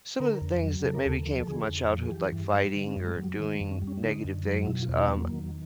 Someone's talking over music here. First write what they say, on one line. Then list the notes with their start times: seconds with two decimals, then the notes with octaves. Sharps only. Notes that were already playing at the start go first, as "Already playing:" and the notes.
some of the things that maybe came from my childhood, like fighting or doing negative things, um,
0.20 D3 A#4
0.41 F2
0.62 F#3
0.84 C#3 A4
0.94 A#4
1.03 D#2 A4
1.26 F3
1.40 A4
1.47 D3 G#4
1.69 F2
1.91 F3
2.03 G#4
2.11 E3 G4
2.32 G2
2.54 G3
2.76 D3
2.87 C4
2.91 C#4
2.96 F#2
3.02 G3
3.07 G#3
3.18 F#3
3.23 G3
3.39 D#3 G#3
3.55 G#3
3.61 F#2
3.71 C#4
3.82 G3
3.87 C#4
4.03 D3 D#4
4.24 F#2
4.46 F#3
4.67 B2 E4
4.83 F4
4.88 E2
4.99 E4
5.07 B3
5.10 F#3
5.15 A#3
5.31 D#3